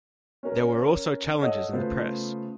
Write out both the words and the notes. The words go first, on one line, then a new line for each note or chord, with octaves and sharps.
There were also challenges in the press.
C#4 A#4
A4 C#5 D#5 F#5 D#6
C#3 A3 B3 F4 B4 C5